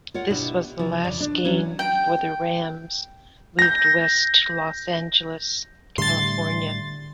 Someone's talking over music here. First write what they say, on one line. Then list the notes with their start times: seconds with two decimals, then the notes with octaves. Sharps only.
This was the last game before the Rams moved west to Los Angeles, California.
0.14 F4 A#4 C#5 F#5
0.30 B2 D4 E4 G4
0.79 C3 F3
1.04 E2 C#3 D5
1.20 D4
1.45 E3 F#3 C#4 D4
1.79 G5
3.59 G6 A#6
5.98 A2 D3 G3 C6 A6